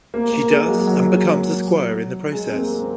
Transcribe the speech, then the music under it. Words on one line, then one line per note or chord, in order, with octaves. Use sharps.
She does and becomes a squire in the process.
A#3
A#3
G#3
F#3
G#3
F#3
G#3
C4
A#3
C4